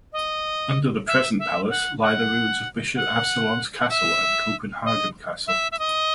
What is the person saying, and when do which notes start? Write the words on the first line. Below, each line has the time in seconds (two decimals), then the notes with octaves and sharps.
Under the present palace lie the ruins of Bishop Absalon's Castle and Copenhagen Castle.
0.13 D#5
1.07 E5
1.39 E5
1.70 F#5
2.02 F#5
2.96 F#5
3.79 F#5
3.90 E5
4.85 D#5
5.47 E5
5.72 E5
5.79 D#5